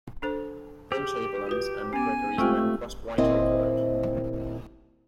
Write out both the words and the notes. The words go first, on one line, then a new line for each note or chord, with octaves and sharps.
Then Chamberlain's and Gregory's men crossed White Oak Road.
D4 A4 C5
G4 G#4
F4 F#4 B4
B3 C#4 G#5
G#3 A3 C4 F4 G4 G5 C#6
D#2 A#2 C4 E4 C5 D#5